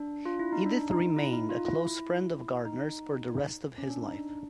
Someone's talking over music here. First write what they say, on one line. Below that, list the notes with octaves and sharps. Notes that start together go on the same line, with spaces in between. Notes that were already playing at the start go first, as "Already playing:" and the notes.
Edith remained a close friend of Gardner's for the rest of his life.
Already playing: D4
F4
E4
D#4
D4
D#4
E4
D#4
F4
E4
D#4
C#4
D4
D#4
D4